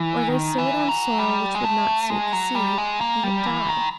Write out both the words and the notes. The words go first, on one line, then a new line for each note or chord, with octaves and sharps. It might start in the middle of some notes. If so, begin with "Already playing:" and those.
Or they sowed on soil which would not suit the seed, and it died.
Already playing: E3
D#3
E3
F#3
G3
G#3
A3
G#3
F#3
G3
G#3
A#3
G3
E3
D#3